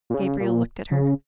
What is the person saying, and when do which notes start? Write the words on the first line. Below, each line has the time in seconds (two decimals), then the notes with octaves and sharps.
Gabriel looked at her.
0.10 A#2
0.14 C#3
0.40 A#2
0.91 C#3